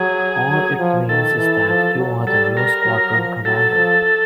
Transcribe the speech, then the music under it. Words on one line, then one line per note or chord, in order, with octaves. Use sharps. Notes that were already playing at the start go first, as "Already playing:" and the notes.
All it means is that you're the new squadron commander.
Already playing: F#3 G#4
F#3
F3
D#3 A4
E3
F3
F#3
G3 A4
A#4
F#3
F3
F#3 A4
F3